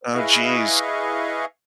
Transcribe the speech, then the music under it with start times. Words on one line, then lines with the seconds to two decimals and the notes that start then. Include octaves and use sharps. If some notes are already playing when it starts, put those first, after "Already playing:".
Oh, jeez.
0.14 E4 G#4 B4 D#5 F5 C#6